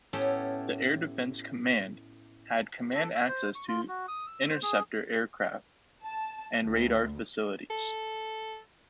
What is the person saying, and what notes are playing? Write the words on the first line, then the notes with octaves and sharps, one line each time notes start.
The Air Defence Command had command access to interceptor aircraft and radar facilities.
A2 B3 C#4 G4 A4
A4
E6
C5
C#6
F4
F#4
D#6
E6
C5
G#4
A5
D2
A4